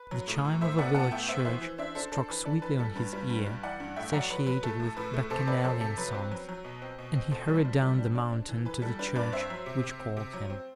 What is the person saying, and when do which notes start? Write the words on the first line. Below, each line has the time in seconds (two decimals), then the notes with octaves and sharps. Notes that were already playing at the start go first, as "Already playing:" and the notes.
The chime of a village church struck sweetly on his ear, satiated with Bacchanalian songs; and he hurried down the mountain to the church which called him.
Already playing: B4
0.11 F#3
0.28 A2
0.45 A2
0.61 A2 C5 E5
0.78 B3 D5 F#5
0.95 B3 F#5 A5
1.12 A2 E5 G5
1.28 B3 C5 E5
1.45 E3 C5 E5
1.61 E3
1.78 D4 C5 E5
1.95 D4 A4 C5
2.12 D4 A4 C5
2.30 E3 B4
2.45 D4 A4
2.62 E3 B4
2.79 G3 A4
2.96 G2 B4
3.13 G3 B4
3.29 G2 B4
3.46 G3
3.63 E3 D5 F#5
3.80 G2
3.96 A2 E5 G5
4.13 F#3 D5 F#5
4.30 F#3 B4
4.46 F#3 B4
4.63 A3 A4
4.80 A2
4.97 A2 B4
5.14 A3
5.30 C3 A4 C5
5.47 C4 B4 D5
5.64 F#3 A4 C5
5.80 C3 A4
5.98 F#3 B4
6.14 C4
6.31 F#3
6.49 F#3
6.64 B2
6.82 C4
6.99 B2
7.15 C4
7.31 B2 A4 C5
7.48 G3
7.65 G3
7.82 G3
7.98 D4
8.15 D4
8.32 D4
8.49 E3
8.65 E3 B4
8.82 G3 A4
8.99 D4 B4
9.15 G2 B4 D5
9.33 C4 C5 E5
9.50 F#3
9.66 C3
9.83 C3
9.99 C4
10.17 C3
10.33 F#3
10.50 C4